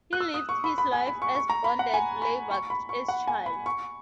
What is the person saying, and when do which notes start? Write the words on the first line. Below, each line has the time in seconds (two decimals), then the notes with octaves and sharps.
He lived his life as bonded labour as child.
0.13 F#6
0.20 E6
0.34 D#6
0.49 C#6
0.64 B5
0.78 B5
0.93 G#5
1.07 B5
1.22 C#6
1.35 C#6
1.50 A#5
1.64 B5
1.79 F#5
1.94 G#5
2.22 B5
2.51 C#6
2.70 B5
2.89 C#6
3.08 F#5
3.27 G#5
3.46 B5
3.66 C#6